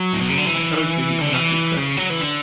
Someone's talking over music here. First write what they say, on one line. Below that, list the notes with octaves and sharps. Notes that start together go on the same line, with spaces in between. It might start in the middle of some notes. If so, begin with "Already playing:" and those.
I told you he cannot be trusted.
Already playing: F#3
A2
B2
C#3
D3
E3
D3
E3
C#3
F#3
E3
D3